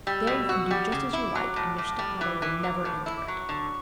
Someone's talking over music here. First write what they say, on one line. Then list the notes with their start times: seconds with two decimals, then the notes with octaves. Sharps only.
There you can do just as you like, and your step-mother will never enter it.'
0.07 G3 E6
0.27 B2
0.49 F#4
0.71 G3 D6
0.92 C#3
1.13 E4
1.35 F#3
1.56 A2
1.78 A2
1.99 G3
2.21 E3
2.42 E3
2.63 F#3
2.85 A2
3.05 E4 E6
3.17 D6
3.28 F#3 C#6
3.49 D3